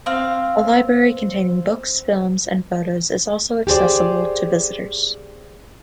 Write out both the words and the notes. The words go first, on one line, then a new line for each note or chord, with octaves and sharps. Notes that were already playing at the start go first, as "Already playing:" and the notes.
A library containing books, films, and photos is also accessible to visitors.
C4 F5
G4 G#4 C5 D5